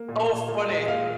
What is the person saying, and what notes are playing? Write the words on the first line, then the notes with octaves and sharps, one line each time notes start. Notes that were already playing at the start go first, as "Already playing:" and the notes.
Oh, funny.
Already playing: A#3
A#2
A#2
A#2
G#3 D#5
A#2 F5